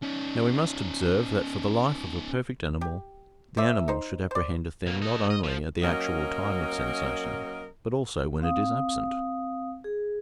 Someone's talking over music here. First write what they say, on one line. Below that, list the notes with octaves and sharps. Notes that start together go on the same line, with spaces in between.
Now we must observe that for the life of a perfect animal, the animal should apprehend a thing not only at the actual time of sensation, but also when it is absent.
C#4 D#4
G4
C5 D5 E5
D#4 C5
C5 D5
B2 A#3
A4 D#5
D#5
F3
F#3 A#3 C#4 A#4 D#5
C4 F5 D#6
G#4